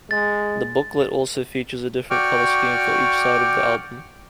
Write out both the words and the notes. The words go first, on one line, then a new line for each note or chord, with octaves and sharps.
The booklet also features a different colour scheme for each "side" of the album.
G#3 A6
F#4 D5 G5 C#6 D6 F6